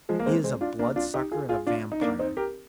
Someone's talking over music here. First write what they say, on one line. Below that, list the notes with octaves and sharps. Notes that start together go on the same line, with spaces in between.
He is a bloodsucker and a vampire.
F3 G#3
A#3
G#3 C4
G#3 C4
D4 F4
A#3 D4
D4 F4
D#4 G4
F4 G#4
F4 G#4
D4 F4
D#4
A#3 D4
C4 D#4
G4 A#4